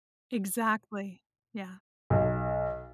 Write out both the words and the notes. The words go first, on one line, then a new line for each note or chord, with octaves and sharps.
Exactly. Yeah.
B1